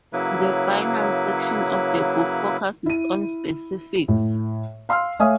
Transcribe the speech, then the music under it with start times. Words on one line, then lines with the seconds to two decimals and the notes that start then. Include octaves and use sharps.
The final section of the book focuses on specifics.
0.13 C#3 F#3 A#3 E4 B4
2.86 E4 D#7
4.08 A2
4.89 F5 C6 E6 F6
5.19 A3 C#5 E5 F5 G#5 D#6